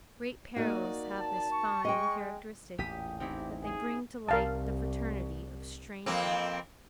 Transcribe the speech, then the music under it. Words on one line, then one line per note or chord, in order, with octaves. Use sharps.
Great perils have this fine characteristic, that they bring to light the fraternity of strangers.
A#3 D#4 F#4 D5
A5
C#6
G#3 D#5 G5
A1 E2 A#2 G4 D#6 B6
C4 D#4 E4 G4
G#4
C2 A#4 F5 A5
F2 A#3 C4